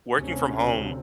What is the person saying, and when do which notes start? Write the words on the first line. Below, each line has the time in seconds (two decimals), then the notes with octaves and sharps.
working from home
0.13 D2 C3 C#4